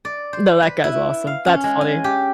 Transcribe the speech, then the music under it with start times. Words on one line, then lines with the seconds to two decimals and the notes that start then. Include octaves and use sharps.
Th that guy's awesome. That's funny.
0.05 D5
0.33 C5
0.63 B4
0.84 E4
1.27 F5
1.46 C#4
1.64 G#3
1.81 G#5
2.04 G4